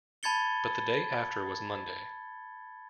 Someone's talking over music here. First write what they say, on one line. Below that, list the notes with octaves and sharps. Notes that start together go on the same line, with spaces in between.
But the day after was Monday.
A5 B5 G#6 A6 C#7 G7